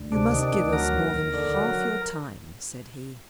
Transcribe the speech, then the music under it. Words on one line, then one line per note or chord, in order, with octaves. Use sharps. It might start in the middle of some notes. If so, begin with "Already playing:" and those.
"You must give us more than half your time," said he.
Already playing: D2
C3 D4
D#3
D4
D2
F#3 A#4
D#2
D#2
D3
F#3